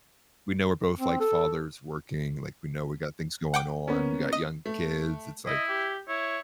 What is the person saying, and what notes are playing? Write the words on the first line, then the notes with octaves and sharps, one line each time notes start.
we know we're both, like, fathers working, like, we know we got things going on, we got young kids, it's, like
C4
A4
F#5 G5 D6
A#3 B3 C#4
D#5
A3
E4 D#5
G4
E4 C#5